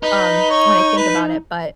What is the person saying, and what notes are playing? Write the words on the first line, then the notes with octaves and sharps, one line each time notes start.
funny, um, when I think about it. But,
D#4 B4
C#5
B4